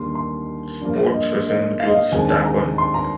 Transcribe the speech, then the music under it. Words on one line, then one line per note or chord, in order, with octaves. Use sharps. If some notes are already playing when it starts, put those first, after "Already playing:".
Sport fishing includes tarpon.
Already playing: D#2 D3 G3 A#3 C6
C6
G2 F3 A#3
D#5
D#5
F5
D#5
F5
D#2 D3 G#3 C4 G#5
G#5
A#5
C6
A#5